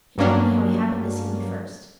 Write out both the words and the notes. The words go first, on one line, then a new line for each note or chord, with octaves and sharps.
He told me how he happened to see me first.
G2 F#3 G3 A#3 C#4 D4